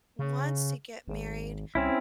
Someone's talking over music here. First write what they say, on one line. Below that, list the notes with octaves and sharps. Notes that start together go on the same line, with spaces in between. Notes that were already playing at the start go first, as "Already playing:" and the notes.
wants to get married,
C#3
G#1
C2 C4 C#4 E4